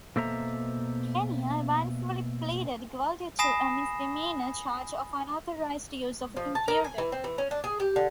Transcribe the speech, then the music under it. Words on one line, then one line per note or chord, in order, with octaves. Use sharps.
Ganier eventually pleaded guilty to a misdemeanor charge of unauthorized use of a computer.
B2 A#3 A4 C5 E5 A#5
G#5 B5 D#6 A#6 C7 E7
F3
A5
A#4
G#5
E3
C4
E3
C#4
D4
G#4
G4
D3